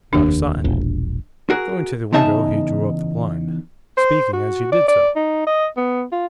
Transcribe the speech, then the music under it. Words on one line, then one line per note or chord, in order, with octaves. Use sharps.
'Not a sign.' Going to the window he drew up the blind,--speaking as he did so.
F1 D#2 D4
E1 A#1
F#4 G#4 A#4
E2 C#3 D#4 E5 A5
C5
F#4
D5
D5
D#4
D#5
B3
F4